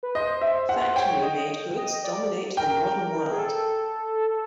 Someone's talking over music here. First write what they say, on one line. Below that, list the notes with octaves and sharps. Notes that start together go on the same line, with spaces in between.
Factory-made goods dominate the modern world.
B4
C5 D#5
E5
F#5
C#5 G5
D#5
D#5
D5
A#4 G5
G#4
A4